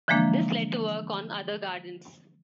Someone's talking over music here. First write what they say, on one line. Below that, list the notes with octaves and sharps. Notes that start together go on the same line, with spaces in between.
This led to work on other gardens.
D3 E3 F3 G#3 A#3 D4